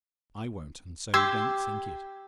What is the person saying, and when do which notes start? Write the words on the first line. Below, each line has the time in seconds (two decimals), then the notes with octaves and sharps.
I won't, and so don't think it.
1.14 G4 C6 E6 G#6